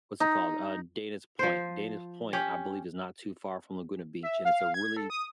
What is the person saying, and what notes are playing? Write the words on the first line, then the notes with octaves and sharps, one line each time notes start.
what's it called? Uh, Dana's Point, Dana's Point, I believe, is not too far from Laguna Beach, and it's a really,
D#4
F3 C5
C#4 G4
E5
F5
G#6
A4
D#6